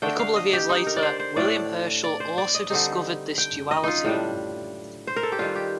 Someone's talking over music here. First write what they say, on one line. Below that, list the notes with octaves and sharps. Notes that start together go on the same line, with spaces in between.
A couple of years later, William Herschel also discovered this duality.
D3 A3 D4 G5
F5
D#5
G4
D#4
A#4
D5
C5
C5
A2 A3 D4 D5
D5
C5
D5
D#5
D3 G3 C4 D#4
G5
D#5
D#4 F4
A2 G3 D4
C5
A#4
A4
G4
D#3 G3 D4 F4
G4